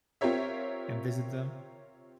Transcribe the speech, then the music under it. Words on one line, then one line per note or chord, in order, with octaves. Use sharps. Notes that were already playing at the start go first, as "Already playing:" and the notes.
and visit them.
C4 F4 G4 A#4 C#5 E5